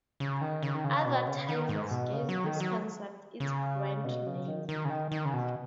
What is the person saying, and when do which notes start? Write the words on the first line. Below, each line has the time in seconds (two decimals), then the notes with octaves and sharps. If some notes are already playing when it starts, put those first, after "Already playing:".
Advertisers gave this concept its brand name.
0.20 C#3
0.41 D#3
0.63 C#3
0.75 D#3
0.84 C#3
1.05 B2
1.27 C#3
1.49 D#3
1.69 G#2
1.91 B2
2.13 C#3
2.29 F#3
2.44 D#3
2.60 F#3
3.40 C#3
4.05 B2
4.27 C#3
4.48 D#3
4.69 D#3
4.85 C#3
4.90 D#3
5.12 D#3
5.25 C#3
5.33 B2